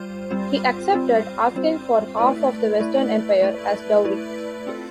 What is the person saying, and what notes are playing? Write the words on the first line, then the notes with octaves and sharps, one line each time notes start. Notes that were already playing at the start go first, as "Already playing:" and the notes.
He accepted, asking for half of the western Empire as dowry.
Already playing: G3 F4 C5
G3 C4 F4 C5
G3 C4 F4 C5
G3 C4 F4 C5
A3 E4 B4 D5
A3 E4 B4 D5
A3 E4 B4 D5
A3 E4 B4 D5
C4 F4 A4